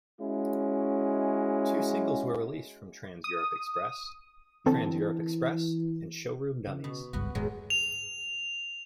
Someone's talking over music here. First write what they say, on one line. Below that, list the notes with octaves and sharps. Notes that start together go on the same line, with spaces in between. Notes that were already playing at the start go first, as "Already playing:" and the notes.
Two singles were released from "Trans-Europe Express": "Trans-Europe Express" and "Showroom Dummies".
G#3 C#4 E4 F#4
D#6
D3 E3 C4 A4
C#3
B2
G#1 C#2 G2 B3 F#4
D#1 G#2 D#3 F#3 G#3
F7